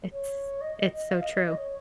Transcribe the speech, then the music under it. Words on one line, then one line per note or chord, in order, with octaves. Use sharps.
It's it's so true.
C#5
D#5
D#5
D#5
F5
D#5
D#5
D#5
C#5